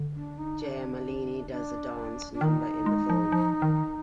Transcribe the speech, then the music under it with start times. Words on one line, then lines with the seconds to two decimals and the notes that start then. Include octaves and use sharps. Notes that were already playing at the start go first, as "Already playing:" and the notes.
Jayamalini does a dance number in the film.
Already playing: D3
0.16 D4
0.38 D#4
0.60 D4
1.51 D4
2.33 D4
2.41 D#3 D#4
2.86 G#3
3.10 F3
3.32 F3
3.62 D#3